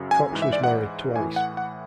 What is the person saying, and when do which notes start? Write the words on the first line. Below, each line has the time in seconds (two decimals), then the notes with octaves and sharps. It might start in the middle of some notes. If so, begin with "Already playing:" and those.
Cox was married twice.
Already playing: F#2 C#3 F#3
0.11 G#5
0.32 G#2 E3
0.42 E5
0.53 D5
0.64 F#5
1.16 A2 E3 G#5
1.36 F#5
1.57 F#5